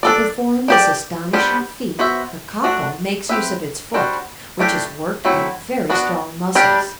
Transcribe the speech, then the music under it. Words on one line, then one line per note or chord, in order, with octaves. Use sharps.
To perform this astonishing feat the Cockle makes use of its foot, which is worked by very strong muscles.
D4 A4 D5
D4 G4 D5
G3 B3 D4 G4 C5
B3 F#4 C5 E5
A3 D4 F#4
C4 G4 B4 E5
G3 D4 F#4 C5
E3 A3 D4 G4
F#3 A3 C4 E4
B3 D4 F#4
G3 D4 G4